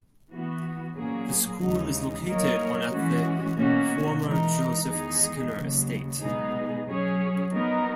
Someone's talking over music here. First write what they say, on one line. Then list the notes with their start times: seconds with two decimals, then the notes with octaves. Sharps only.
The school is located on at the former Joseph Skinner estate.
0.29 E3 B3 F#4
0.94 A#2 F#3 A#3 C#4 G#4
1.61 D#2 C#3 E3 G#3 D#4
2.25 F#3 A#3 D#4 A#4 C#5
2.92 E3 G#3 C#4 F#4
3.57 B2 A#3 C#4 F#4
4.24 E3 G#3 D#4 A#4
4.88 E2 D#3 G#3 D#4 G#4
5.54 D#2 C#3 F#3
6.19 B2 G#3 B3 D#4 G#4
6.85 F#3 C#4 G#4 C#5
7.51 F#3 B3 D#4 A#4